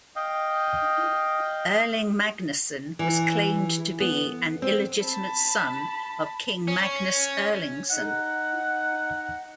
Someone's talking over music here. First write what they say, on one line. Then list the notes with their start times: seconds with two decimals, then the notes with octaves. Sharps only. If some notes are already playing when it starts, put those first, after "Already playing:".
Erling Magnusson was claimed to be an illegitimate son of King Magnus Erlingsson.
0.16 D#5 F5 G5
2.99 E3
4.00 B3
4.62 C4
5.03 A5 B5
6.68 C#4
7.91 D#4 F#5